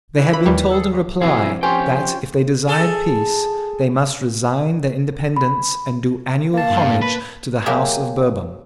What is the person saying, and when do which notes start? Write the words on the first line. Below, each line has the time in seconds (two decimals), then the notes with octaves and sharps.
They had been told in reply that, if they desired peace, they must resign their independence and do annual homage to the House of Bourbon.
0.17 E3
0.33 B5
0.46 D#2 G3
0.71 E3 G#4 A4
0.91 A#2 C#3
1.21 B1 F3 C4 E4 F#4 G#4
1.63 C#4 F4 G4 C5 G5
2.67 G#4 A4
5.36 B5
6.54 A#3 F5 A5
6.70 G2
7.02 B4
7.66 F#3 A#3 G4 G#4 E5